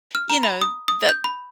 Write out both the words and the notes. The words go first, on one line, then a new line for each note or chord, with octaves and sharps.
you know, that
F6
A#5
B5
D#6
D#6
G6
B5